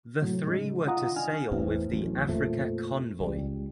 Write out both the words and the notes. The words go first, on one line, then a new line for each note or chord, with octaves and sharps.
The three were to sail with the Africa convoy.
A2 C3 F#3
C#3 G#3 D#4
D#4 F4 F#5 A#5 D#6
D4 D#4 G#5 F6
E2 A2 E3 C4
A1 F#3
F2 A#2 F3 A3
C#2 G3